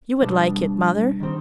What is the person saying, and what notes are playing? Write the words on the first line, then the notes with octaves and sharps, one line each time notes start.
You would like it, mother?'
B2 G3 D4
D#3 G3 C4 D#4